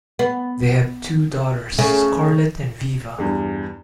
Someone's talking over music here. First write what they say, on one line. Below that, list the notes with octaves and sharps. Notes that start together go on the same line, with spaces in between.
They have two daughters, Scarlett and Viva.
B3
C#3 A3
E2 G2